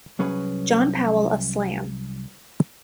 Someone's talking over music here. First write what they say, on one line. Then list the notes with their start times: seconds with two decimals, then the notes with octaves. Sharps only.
John Powell of Slam!
0.19 C2 F#3 C#4 G#4 B4